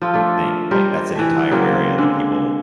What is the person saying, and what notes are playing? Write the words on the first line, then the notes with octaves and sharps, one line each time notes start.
thing, like, that's an entire area that people
F3 F4 A4
A3 D4 A4
G3 A#4 C5
E3 A3
C#3 F#3 A#3 C4
D3 G#3